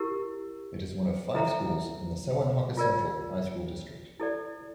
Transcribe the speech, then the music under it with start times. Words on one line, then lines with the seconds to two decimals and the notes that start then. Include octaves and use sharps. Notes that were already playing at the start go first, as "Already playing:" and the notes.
It is one of five schools in the Sewanhaka Central High School District.
Already playing: E4 G4 A#4
1.34 E4 A4 E5 A#5
2.77 F4 A#4 D5
4.20 E4 A4 D5